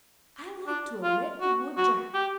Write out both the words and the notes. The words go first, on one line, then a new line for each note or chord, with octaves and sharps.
I like to 'a' let de wood drap!
D4
F4
F#4
F#4
G4